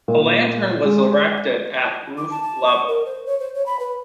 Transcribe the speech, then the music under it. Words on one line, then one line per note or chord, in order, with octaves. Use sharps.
A lantern was erected at roof level.
A#2
G#3
D6
A5
A5
C#6
A#4
C5
C#5
C5
C#5
B5
B4